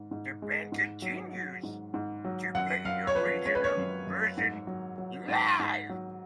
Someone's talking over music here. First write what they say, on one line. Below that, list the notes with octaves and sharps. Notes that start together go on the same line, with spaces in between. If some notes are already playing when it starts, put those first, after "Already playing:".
The band continues to play the original version live.
Already playing: G#2
G#2
G#3
G#2
F#3
F#3
G#2
G#2
F#3
F#2 F#5
F#2 F5
C#5
F3 B4
G#3 C#5
B4
C#5
F#2
F#2
G#2
F#3
F#3
G#2
G#2
F#3